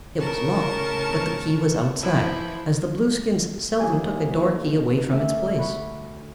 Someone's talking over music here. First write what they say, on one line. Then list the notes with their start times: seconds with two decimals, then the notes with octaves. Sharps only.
It was locked, but the key was outside, as the Blueskins seldom took a door-key away from its place.
0.19 A2 C#3 A#4 A5 C#6
1.99 E3 F3 E4
3.80 D#2 G3 E4 G4 G#5
5.12 D2 A3 E5 F6
5.58 F#4 B5